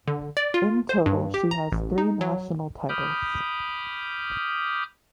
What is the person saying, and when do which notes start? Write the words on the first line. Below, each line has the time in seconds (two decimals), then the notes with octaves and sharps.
In total she has three national titles.
0.08 D3
0.37 D5
0.54 F4
0.89 C5
1.06 G2
1.34 G4
1.51 A#5
1.72 A1
1.98 D#4
2.21 F#3
2.89 B5 D6 D#6 F6 G6